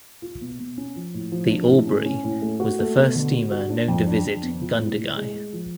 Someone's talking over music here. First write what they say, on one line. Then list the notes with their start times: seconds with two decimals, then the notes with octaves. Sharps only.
The 'Albury' was the first steamer known to visit Gundagai.
0.22 F4
0.41 B2
0.59 B2
0.78 C#4
0.96 F3
1.14 A2
1.32 F3
1.51 D4
1.69 A2
1.87 C#4
2.05 C#4
2.24 A2
2.42 A3
2.60 F#4
2.79 A3
2.97 B2
3.15 D3
3.34 F#4
3.51 F#4
3.70 D4
3.88 F2
4.06 D4
4.25 F2
4.43 B3
4.62 F4
4.79 A2
4.97 A2
5.16 G#3
5.34 G#3
5.53 F3